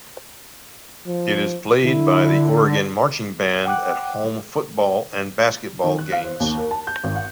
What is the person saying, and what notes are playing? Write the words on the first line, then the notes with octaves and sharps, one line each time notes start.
It is played by the Oregon Marching Band at home football and basketball games.
F3
D3 E4
F#5 G5 D6 F#6
D#3
F#6
F5
C5
D#2
A#4
A5
G6
G#1
F#5